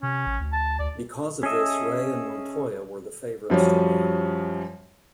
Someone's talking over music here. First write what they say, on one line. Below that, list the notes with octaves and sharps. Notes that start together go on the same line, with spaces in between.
Because of this Ray and Montoya were the favorites to win.
C3 C#4
A1
D2
A5
D2 D5
C#4 G#4 A4 D#5 E5
F#2 F3 G3 C#4